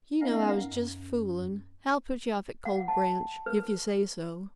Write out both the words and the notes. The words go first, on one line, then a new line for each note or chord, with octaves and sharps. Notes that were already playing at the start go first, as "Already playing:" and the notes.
"You know I was just fooling. I'll put you off at Cold Branch, if you say so."
B3 C#4 D#4 A#4 D#5 F5
F#2
F#5
A5
B4